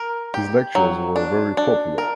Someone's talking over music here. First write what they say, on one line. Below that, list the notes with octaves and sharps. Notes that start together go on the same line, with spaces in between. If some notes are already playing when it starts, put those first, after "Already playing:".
His lectures were very popular.
Already playing: A#4
G4
F#3
D4
D4
A#4